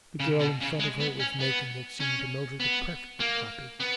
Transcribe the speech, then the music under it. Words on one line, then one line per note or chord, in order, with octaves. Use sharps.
The girl in front of her was making, it seemed to Mildred, a perfect copy.
C#3
B2
C#3
G#3
B3
C#4
B3
C#4
B3
A#3
B3